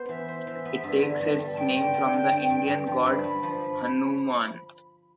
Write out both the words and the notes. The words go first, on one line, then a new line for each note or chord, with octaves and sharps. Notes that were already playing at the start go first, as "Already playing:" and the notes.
It takes its name from the Indian God Hanouman.
Already playing: B3 C5
E3 E5
C5
E3
B3
G2
D3
G2
G3
A5
G2 G5
D3
D3
D3
G2
G2
G2
F3
G2 B5
G2
F3